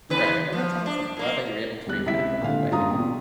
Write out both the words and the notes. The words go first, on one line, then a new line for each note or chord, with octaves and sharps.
Right. Well, that's awesome. I'm glad that you're able to reconnect in that way.
D#2 B4
F3
D4
A#2 A#3
E1 G3 F#6
C#2 C3 E4 E5 B6
G#1 A#2 D3 F5
F#1 G2 F4 A#5 D#6
A#1 B2